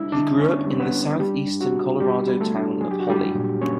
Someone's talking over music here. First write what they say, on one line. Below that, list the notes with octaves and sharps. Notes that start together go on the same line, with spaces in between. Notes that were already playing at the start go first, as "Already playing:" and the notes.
He grew up in the southeastern Colorado town of Holly.
Already playing: G3 D4 E4 E5
D3 D4 D5
B3 C#4 C#5
G3
B3 B4
D4
G3 G4
D4
F#4
B2
G3 B3 G4
G3
A3 A4
D4
F#3 G#4
G4
F#4
G3 D4 G4
A#2
A#3 C#4 C#5